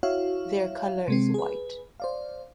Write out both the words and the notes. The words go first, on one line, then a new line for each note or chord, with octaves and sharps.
Their color is white.
E4 F#4 C#5 E5 F5
C3 G#3 C4
G#4 B4
C5 D5 F5